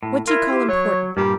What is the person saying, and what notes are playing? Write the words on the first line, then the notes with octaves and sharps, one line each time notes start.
"What do you call important?"
A2
E4 F4 A#4
G4
F#3 C#5
G2 A#2 G3 G4